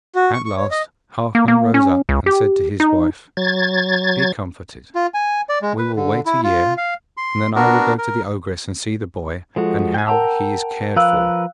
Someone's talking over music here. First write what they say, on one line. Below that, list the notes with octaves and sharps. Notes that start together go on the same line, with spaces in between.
At last Halfman rose up and said to his wife, 'Be comforted; we will wait a year, and then I will go to the ogress and see the boy, and how he is cared for.'
F#4
C#6
C#6
C#5
D#5
A#3
A#3
C#4
C#2
G4
D#4
F#3 G#6 A6
F4
G#5
D5
G#3
B4
D3
E4
F4
F5
C6
B3 D4 F#4 A#4
A#4
F3 G#3 F4 F#4 A4
G5 G#5
A#4 F#5 G5 A5 A#5 E6
F3 A#4 B4 F5 E6 F#6